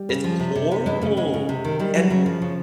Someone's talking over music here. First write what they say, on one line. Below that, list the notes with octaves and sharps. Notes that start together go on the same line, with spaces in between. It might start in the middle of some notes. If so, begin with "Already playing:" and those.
It's horrible. And
Already playing: G3
C#3
F3
C3
C3
C3
E3 G#3
C#3 A3
C#3 G#3
C#3
C3
D#3
D#3 G3
F#3 G3
C#3 F#3
F3
C#3